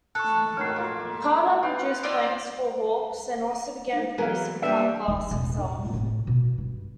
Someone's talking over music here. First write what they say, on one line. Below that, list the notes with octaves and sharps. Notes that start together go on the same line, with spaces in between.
Carder produced blanks for Hawkes and also began producing cut glass himself.
A4 C#6 F#6
A2 D#3 F#4 F6 C7
A#3 F4
B3 F5 G5
C4 D#4 F4 D5 E5
E3 F#3 B3 G#4 A#4 B4 F5
G3 A#3 D4 B4 E5 G5
F3 D#4
E1 A1
A2
B2
G2